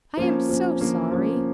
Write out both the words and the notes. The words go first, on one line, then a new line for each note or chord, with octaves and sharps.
"I am so sorry!"
F3 A#3 C#4
F3 A#3 C#4
F3 A#3 C#4
F3 A#3 C#4